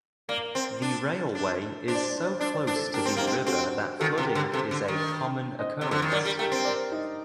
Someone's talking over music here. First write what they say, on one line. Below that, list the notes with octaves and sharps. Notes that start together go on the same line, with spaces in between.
The railway is so close to the river that flooding is a common occurrence.
A#3 A#4 D5
C4
D4
D4
D4 C5
D5
C5
D5
C5
D5
C5
D4 D5
C5
D5
C5
D4 D5
A4 C5
D4 G4 A#4
C4
A#3 D#4 G4
C4
C4 F#4 A4
D#3 F#4 A4
C3
G4 A#4
D3
C3 A4 C5
D3
D#3
C5 D#5
C3
D3
D#3
F#3 A#4 D5
G3
A3 G4 A#4
C4
A#4 D5
D#4